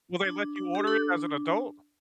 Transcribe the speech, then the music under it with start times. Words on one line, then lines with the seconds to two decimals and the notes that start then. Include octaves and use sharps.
Will they let you order it as an adult?
0.25 D4
0.56 D4
0.75 G4
0.87 D4 A4